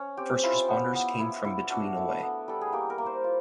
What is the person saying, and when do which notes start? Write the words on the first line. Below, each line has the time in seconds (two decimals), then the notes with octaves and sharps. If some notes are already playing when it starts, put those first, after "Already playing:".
First responders came from between away.
Already playing: C#4
0.17 C4 G4
0.43 E4 F4
0.68 B3
0.94 B3
1.20 E4
1.45 E4
1.70 D4 F#4
1.96 A3
2.22 B3
2.48 G3 A4
2.61 G#4
2.72 A#3 G4
2.90 A#4
2.98 A#3
3.06 C5
3.24 F4